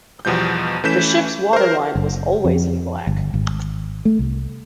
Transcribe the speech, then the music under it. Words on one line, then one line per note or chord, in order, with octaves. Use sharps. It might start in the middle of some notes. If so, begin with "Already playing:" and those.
The ship's waterline was always in black.
E2 B2 F3 G3 G6
E3 A3 C#4 G6 B6 E7
A#4 C5
F#1
F2
G1
G#1
A3
C2